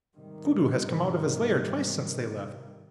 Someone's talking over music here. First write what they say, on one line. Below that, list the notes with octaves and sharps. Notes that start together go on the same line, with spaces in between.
"Kudu has come out of his lair twice since they left."
G#2 C3 D#3 G3